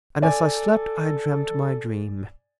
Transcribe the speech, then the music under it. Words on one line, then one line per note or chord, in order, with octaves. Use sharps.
And as I slept I dreamed my dream.
A4 D5 G#5